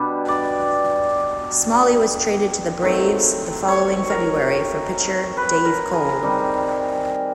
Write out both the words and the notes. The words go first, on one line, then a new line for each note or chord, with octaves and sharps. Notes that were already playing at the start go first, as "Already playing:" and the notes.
Smalley was traded to the Braves the following February for pitcher Dave Cole.
Already playing: B2 G3 B3 D4
D5
D#3 F#3 A3 C4
C#5
A#4
B4
A#4
G#4
D#3 G3 C4